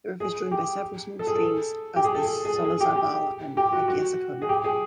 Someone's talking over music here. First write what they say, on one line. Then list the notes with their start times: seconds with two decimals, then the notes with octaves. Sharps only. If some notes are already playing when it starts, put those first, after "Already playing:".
The river is joined by several small streams as the Solozabal and Agirre-Sakona.
0.20 G#4
0.51 G4
1.19 A4
1.27 G#4
1.35 A4
1.96 G4
2.04 G#4
2.15 A4
2.24 G#4
2.45 G#4
2.55 A4
2.65 G#4
2.80 G4
2.96 G4
3.57 G4
3.72 F#4
3.88 F#4
4.42 G#4
4.49 G4
4.64 G#4